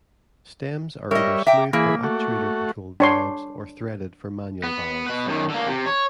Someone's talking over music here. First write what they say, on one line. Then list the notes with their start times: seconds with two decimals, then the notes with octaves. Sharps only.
Stems are either smooth for actuator controlled valves or threaded for manual valves.
1.11 G3 A#4 C#5 D#5 E5
1.47 E5 G5 A#5 D6
1.73 E3 A#3 G#4 B5
2.04 A3 F#4
3.00 D4 C#5 C6
4.64 B3
5.07 B2 B4
5.26 F#2 D#3
5.50 D3 A#3
5.68 C3
5.86 C#5